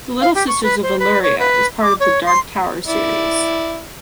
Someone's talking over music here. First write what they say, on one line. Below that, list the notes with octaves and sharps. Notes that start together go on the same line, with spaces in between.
"The Little Sisters of Eluria" is part of "The Dark Tower" series.
F5
G4
C#6
B4
C5
B4
C#5
B4
D6
C#5
C6
E4 D5